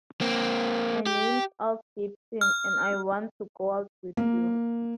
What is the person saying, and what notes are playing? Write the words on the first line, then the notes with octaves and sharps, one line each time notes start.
My name's Alf Gibson, and I want to go out with you.
A#3 C4
G4
F6
A#3